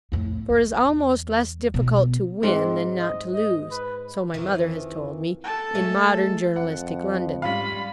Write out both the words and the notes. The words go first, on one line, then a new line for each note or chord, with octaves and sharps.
For it is almost less difficult to win than not to lose, so my mother has told me, in modern journalistic London.
F2 A2
E2
B2 B3
G#2 C4
D#5
D#5
B4
F2 D#3 E3
A4 A5
G#3 A3 C#4
F2 F#5
G#2 G3 C#4 F4 F5 B5